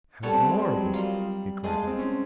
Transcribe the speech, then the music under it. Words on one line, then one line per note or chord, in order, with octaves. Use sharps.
"How horrible!" he cried out.
G3 A4 C#5 F#5 A5
C4
B3
G#3
G3
F#3
G3 F4 A#4 D#5
G#3 G#4 C5 F5 A5
G#3
C4
C#4